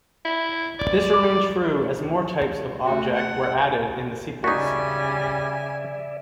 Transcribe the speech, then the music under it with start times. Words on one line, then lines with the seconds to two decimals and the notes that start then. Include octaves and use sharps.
This remained true as more types of object were added in the sequels.
0.25 E4
0.79 D5
1.13 B5 D6
2.84 A3 F#4
3.15 F#5
4.44 C#3 G3 D#4 F#4 D5 E5 G#5